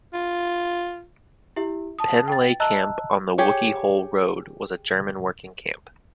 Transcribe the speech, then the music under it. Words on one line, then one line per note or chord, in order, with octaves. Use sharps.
Penleigh Camp on the Wookey Hole Road was a German working camp.
F4
E4 G4 E5
A5 D#6
G5 A6
D#5 E5 A5 A#5 E6 F#6
G4 G#4 C#5